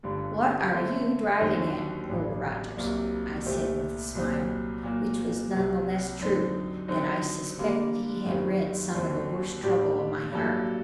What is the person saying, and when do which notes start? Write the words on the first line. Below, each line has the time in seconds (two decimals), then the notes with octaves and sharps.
"What ARE you driving at, Old Rogers?" I said with a smile, which was none the less true that I suspected he had read some of the worst trouble of my heart.
0.03 G1 G2 D3 G3
0.72 D3 A3 C4
1.40 D#2 D3 F#3 C4 D#4
2.09 A1 G2 F#3
2.77 C2 C3 F#3 A#3
3.45 C2 A#2 A3 C4 G4
4.15 C2 A#2 F#3 C4
4.83 A#2 F#3 A#3 F#4
5.52 C2 C3 F#3
6.20 F#2 D3 F#3 C4 D#4
6.88 D3 F#3 C4 D#4
7.57 D3 G3 A#3 D4
8.26 F#2 D#3 G3 C4
8.94 D#2 D3 F#3 C4 F#4
9.63 A2 G3 D4 G4
10.31 G2 F#3 A#3 F#4 A4